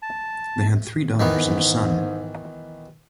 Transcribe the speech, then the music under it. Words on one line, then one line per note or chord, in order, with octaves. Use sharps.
They had three daughters and a son.
A5
G#2 D#3 E3 B3